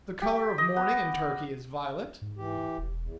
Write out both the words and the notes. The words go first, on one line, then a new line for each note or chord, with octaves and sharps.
The color of mourning in Turkey is violet.
G4
D#5
B3
G#2
E3 G4
E1
E2